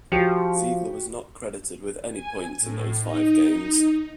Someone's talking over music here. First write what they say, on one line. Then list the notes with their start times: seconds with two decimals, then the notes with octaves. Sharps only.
Ziegler was not credited with any points in those five games.
0.12 F3 F#4 G4 C#7
2.11 G#5
2.60 A2
3.02 D#4